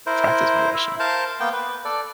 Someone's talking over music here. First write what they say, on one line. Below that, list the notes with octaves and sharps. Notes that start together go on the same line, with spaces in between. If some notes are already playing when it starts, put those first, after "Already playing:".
practice my Russian.
E4 A#4 C5
E4 E5
A#4 C5 F5 A5
A#3 B3 G5
B4
A4 D5